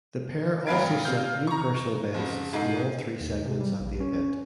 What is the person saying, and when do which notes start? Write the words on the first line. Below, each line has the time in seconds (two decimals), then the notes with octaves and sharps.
The pair also set new personal bests in all three segments at the event.
0.66 G#1 D4 B4 F5 G#6 D7
1.05 C3 F5 F6 G6
1.47 A#5 C#6
2.14 F1 C#3
2.53 G#2 D#4 A4 C7
3.20 D#2
3.45 C3
3.60 G3
3.80 A#1
4.00 C#4